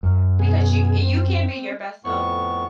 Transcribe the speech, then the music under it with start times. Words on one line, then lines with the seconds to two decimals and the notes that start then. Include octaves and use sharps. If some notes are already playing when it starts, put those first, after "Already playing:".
Yeah. Because you you can't be your best self,
0.03 F#2
0.39 B2 G#4
1.03 C4
2.04 F2 A2 B3 C#6